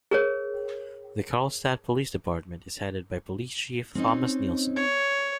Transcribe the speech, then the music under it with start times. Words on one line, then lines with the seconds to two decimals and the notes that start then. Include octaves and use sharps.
The Carlstadt Police Department is headed by Police Chief Thomas Nielsen.
0.11 G#4 A#4 C#5
3.95 C4 C#4 D#4
4.76 C#5